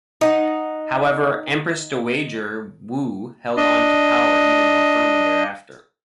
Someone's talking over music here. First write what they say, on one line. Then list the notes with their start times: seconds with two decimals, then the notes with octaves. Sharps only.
However, Empress Dowager Wu held onto power even more firmly thereafter.
0.21 D#4 F#5
3.57 D4 D#5